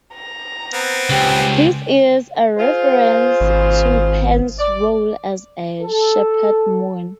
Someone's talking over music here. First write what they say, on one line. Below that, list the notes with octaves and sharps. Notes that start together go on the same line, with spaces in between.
This is a reference to Pan's role as a shepherd moon.
A#5
B3 C4
C#2 G4
F4 G#4 C5
G#1
D5
A4